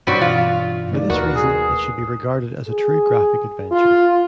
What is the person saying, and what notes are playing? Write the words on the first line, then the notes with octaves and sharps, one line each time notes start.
For this reason, it should be regarded as a true graphic adventure.
G2 B2 G3 C4 F#4 C#5 D5
E3 F4
A3 D#4 D5
D#2 F#4 A#4 B4
G#4
G#4
F4